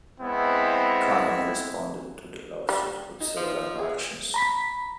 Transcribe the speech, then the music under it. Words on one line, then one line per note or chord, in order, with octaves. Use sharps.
Canon responded to the lawsuit with several actions.
G#3 B3 C4 E4
G3
D#4
F3
G#4
A#5 B5 B6